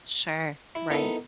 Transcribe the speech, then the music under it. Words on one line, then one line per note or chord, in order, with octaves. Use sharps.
Sure, right.
E4
B3 D#4 E4 A4 A#4